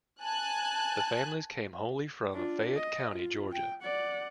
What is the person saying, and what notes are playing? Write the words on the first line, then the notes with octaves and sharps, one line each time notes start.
The families came wholly from Fayette County, Georgia.
G#5 A5 F#6
D4 F4
D#5
F4
G5
D5 F#5